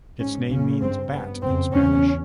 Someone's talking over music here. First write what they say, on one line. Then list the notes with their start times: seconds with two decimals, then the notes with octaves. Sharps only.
Its name means bat in Spanish.
0.20 G#2 C#4
0.50 F#2 C#3 C#4
0.81 G2 C4
1.11 G2 B3
1.42 F2 C#3 C4
1.72 E2 C#3 C#4